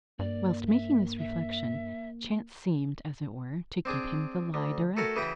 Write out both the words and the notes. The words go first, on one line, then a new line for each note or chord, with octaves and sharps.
Whilst making this reflection, chance seemed, as it were, to give him the lie direct.
G2 A#3 D5
E5
E5
C4 D4 G#4
D2
A3 F#4 A4 A#4 C#5 G#5
C#3 E3 F#4 E5 G5 D#6